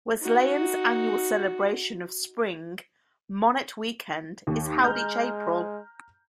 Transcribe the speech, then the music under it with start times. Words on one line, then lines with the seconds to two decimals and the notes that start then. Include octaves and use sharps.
Wesleyan's annual celebration of spring, Monnett Weekend, is held each April.
0.20 D#4 F#4
4.47 D#2
4.84 G#3 A#5 F6 G6